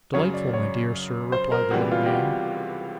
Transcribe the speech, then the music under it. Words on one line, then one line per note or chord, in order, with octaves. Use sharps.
'Delightful, my dear Sir,' replied the little man.
F#2 C#3 F#3 C#5
D5
C#5
C5
A#4
C#2 C3 E3 G3 B3 F#4
F4
G4
F#4